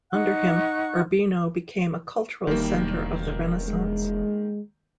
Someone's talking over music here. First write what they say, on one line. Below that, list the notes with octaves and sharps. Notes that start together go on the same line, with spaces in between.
Under him Urbino became a cultural center of the Renaissance.
D#4 F#5 C#6 F#6
E1 D#3 G3 A#3
G#3